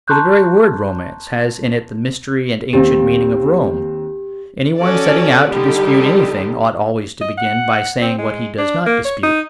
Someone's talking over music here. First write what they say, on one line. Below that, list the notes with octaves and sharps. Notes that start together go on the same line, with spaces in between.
For the very word "romance" has in it the mystery and ancient meaning of Rome. Any one setting out to dispute anything ought always to begin by saying what he does not dispute.
A5 A#5 C6 C#6 F#6 G6
D#2 C4 G4
C#4 F#4 A4 D5
D3 G3 D#4 G4
D#5
F#5
C4
G#3
D4
A#3
C#5
D#4